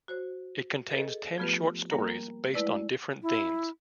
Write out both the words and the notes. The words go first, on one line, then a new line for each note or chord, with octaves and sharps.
It contains ten short stories based on different themes.
F#4 C5 C#5
G#4 A4 B4 C#5 D#5
F3 A3 B3 F4 G4 B4
G3 A#3 A#4
G#3 A3 E4 B4 C#5 D5
E4